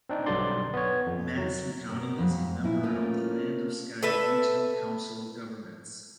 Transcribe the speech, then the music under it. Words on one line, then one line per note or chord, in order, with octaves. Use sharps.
Madison County is a member of the Land-of-Sky Regional Council of governments.
C4 D4 D#4
B1 G2 D3 F#3 D5 C6
B3 C#5
F2
F#3
B2 C#4 A#4
F2 F#3
A#2 E4
A3 A#3 C#4 F4
A4 B4 E5